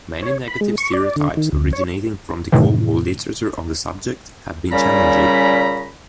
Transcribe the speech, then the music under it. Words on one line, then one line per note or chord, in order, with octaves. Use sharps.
Many negative stereotypes originating from the cold-war literature on the subject have been challenged.
C#5
B5
G#3
C#6
D5
D3
D#3
D2
C#5
F#2 A2 C3 D#3 E3
A#2 C#3 G3 C#4 A#5 B5